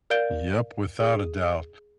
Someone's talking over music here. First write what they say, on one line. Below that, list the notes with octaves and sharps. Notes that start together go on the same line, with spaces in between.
Yep, without a doubt.
A#4 D5 F5 G6 D7 G7
G#4